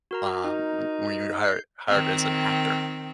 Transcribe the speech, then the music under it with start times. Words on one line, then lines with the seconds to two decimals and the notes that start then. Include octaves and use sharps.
um, when when you were hired hired as an actor?
0.11 F#4 A#4 A#5
0.45 D#4
1.44 G6 C7
1.88 D#3 C4